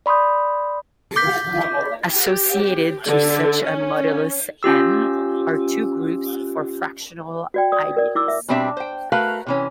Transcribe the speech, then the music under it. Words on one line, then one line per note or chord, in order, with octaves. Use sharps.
Associated to such a modulus "m" are two groups of fractional ideals.
D5 B5 C6 D#6 G6
D6 G6 B6
G4
D3
C#4
C#4 F4 G4 E6
F#4 D5 G5
D5 D#6
A#4 D5
E4 D6 E6
E5
B2 G3 C4 D4 D5 E5
C5 G5
A3 F#4 A#4 B4 F5
C3 E3 C#4